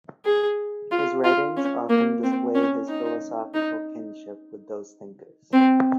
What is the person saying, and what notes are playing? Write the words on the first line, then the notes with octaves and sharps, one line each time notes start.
His writings often display his philosophical kinship with those thinkers.
G#4
F4
F4
C#4
A#3
C4
C#4
D#4
D#4
C4